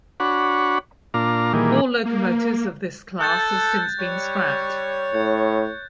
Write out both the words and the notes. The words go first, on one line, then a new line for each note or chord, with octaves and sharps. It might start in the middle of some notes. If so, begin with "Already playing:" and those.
All locomotives of this class have since been scrapped.
D4 F#4 C#5 F#5 B5
A#2 D4 F4 F5 A#5
A#2 D#3 E3 G3 A#3 G#4
A#3
A4 F#6 G6 A6
G3 C#5
A2 G6